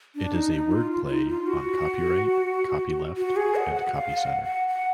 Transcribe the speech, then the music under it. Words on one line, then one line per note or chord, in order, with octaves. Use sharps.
It is a word play on copyright, copyleft and copy center.
D4
D#4
D#4
F4
F4
D#4
F4
F#4
F#4
G#4
F#5
F#5
F#5
F5
F#5
F#5
F#5